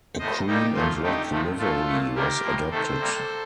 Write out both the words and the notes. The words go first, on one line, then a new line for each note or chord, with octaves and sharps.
A cream and red livery was adopted.
A2 A3 C5 D#5
A#2 G3 A#3 D#4 G4
A#2 F3 A3 F4
D3 A3 D#4 G4
C3 F3 A3
A#2 A3 F4 A4
A#2 A3
C3 D#3 G3 A#3 G4 A#4
A2 F3 A#3
C3 D#3 A3 A4 C5
C3 G3 A#3